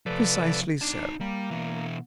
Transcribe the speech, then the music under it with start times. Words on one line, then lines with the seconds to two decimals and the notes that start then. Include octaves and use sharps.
"Precisely so."
0.06 C3 F3 A4 B4 D5
0.82 D4 D#4 A5
1.21 G3 A#3
1.51 B2 E3